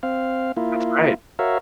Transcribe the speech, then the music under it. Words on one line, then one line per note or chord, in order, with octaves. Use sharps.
That's great.
C4 F5
A#3 E4 F4
F#4 A#4 C#5 E5 F5